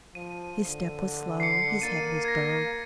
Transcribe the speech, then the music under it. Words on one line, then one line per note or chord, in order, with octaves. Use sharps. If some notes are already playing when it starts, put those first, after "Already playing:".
His step was slow, his head was bowed.
F3 D#7
D3
C7 C#7
A#3 A6 C7 D#7
G#6 A#6